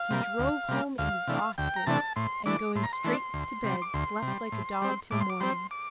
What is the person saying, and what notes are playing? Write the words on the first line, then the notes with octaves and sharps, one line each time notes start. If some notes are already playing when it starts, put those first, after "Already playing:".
He drove home exhausted, and going straight to bed slept like a dog till morning.
Already playing: F5
C3 G3 A#3
D2
C3 G3 A#3
D2 F5
C3 E3 A3 D4
D2 G5
A#5
C3 E3 A3 D4 A5
A2 C6
E3 A3 D4 D6
A2 C6
A#5
C6
E3 A3 D4
D2
C3 G3
D6
D2 C6
C3
G3
A2
G3 C4
A2 D6
C6
D6
G3 C4 C6
D6